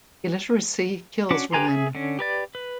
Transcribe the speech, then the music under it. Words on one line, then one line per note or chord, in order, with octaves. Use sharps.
Illiteracy kills women.
C#4 D4 F#4 D6
G4 B4 G#5 A#5 C6
G#4 E5
D3 C#4
G4 B4 D5
B4